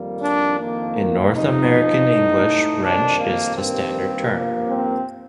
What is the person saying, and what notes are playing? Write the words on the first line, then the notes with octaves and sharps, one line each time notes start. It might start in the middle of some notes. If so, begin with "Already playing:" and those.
In North American English, "wrench" is the standard term.
Already playing: F2 D#3 G3 A#3
D4
F2 D#3 A#3
F2 C3 F3 D#4
A2 A3
F2 C3 D#3 D4
A#3
G2 D#3 G3 A#3 C4
G2 F3 A#3
C4